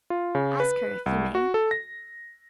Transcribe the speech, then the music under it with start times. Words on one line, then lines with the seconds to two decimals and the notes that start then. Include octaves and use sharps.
"Ask her if you may."
0.10 F4
0.35 C#3
0.60 B4
1.06 C2
1.35 F#4
1.54 A4
1.71 A#6